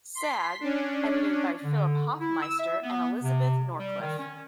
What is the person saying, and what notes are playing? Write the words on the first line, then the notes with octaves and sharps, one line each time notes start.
Sag, edited by Philip Hofmeister and Elisabeth Norcliffe.
C6 B6 C7
C#4 D4
D3
E4
E6
E5
B3
C3
G3
D#3
C#4